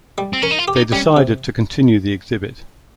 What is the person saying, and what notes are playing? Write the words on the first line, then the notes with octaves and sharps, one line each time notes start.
They decided to continue the exhibit.
G3
C4
C#4 A#4
D#4
F4
G4
D#4
G3 C#4
C3